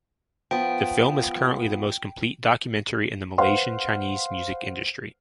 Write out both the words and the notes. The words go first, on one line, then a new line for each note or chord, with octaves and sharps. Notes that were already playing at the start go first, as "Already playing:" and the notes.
The film is currently the most complete documentary in the Malaysian Chinese music industry.
F3 B3 G5
B4 C5 F5 F#5 C6